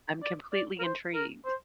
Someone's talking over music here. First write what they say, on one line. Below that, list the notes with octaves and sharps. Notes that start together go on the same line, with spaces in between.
I'm completely intrigued.
D5
D5
A#4
C5
A#4
C5